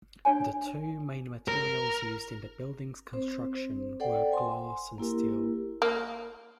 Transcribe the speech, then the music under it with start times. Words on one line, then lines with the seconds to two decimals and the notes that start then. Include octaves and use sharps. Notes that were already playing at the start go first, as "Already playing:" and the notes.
The two main materials used in the building's construction were glass and steel.
0.25 D4 C#5 G#5
1.48 A#4
3.13 C4 C5
4.00 A4 C5 D5 F#5 G5
4.32 G#5 C6
4.98 A#3 E4 G4 A#4
5.82 A#3